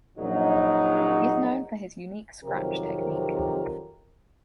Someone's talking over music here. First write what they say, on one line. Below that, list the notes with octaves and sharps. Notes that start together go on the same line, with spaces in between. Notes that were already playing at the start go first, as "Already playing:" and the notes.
He is known for his unique Scratch technique.
A#1 F#2 F#3 D#4
F2 C3 D#3 F#3 G4 A#4